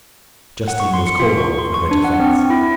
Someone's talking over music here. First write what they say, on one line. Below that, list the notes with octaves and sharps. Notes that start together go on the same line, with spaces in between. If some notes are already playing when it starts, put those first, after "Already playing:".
Justine was called on for her defence.
F#5
C#6
C6
C#7
F4
C#6
C6
C#6
D4
F#5
C4
E4